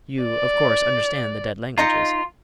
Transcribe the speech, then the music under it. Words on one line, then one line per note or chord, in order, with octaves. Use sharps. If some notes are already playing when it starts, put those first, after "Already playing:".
"You, of course, understand the dead languages?"
D5
D#4 F4 D#5 A#5